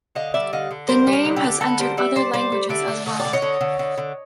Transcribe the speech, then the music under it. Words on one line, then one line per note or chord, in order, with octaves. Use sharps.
The name has entered other languages as well.
D3 D#5 F5
G3 D5 E5
D3 D#5 F5
D3
G3 A#4 C5
G3
A#4 C5
D3
G4 A4
D3
D3 A4 B4
G3 A#4 C5
G3 D5 E5
G3 C5 D5
G3 C5 D5
G3
D3 D5 E5
D3
D3 D#5
D5
D3
C#5 D#5
D3
D3
D3
D3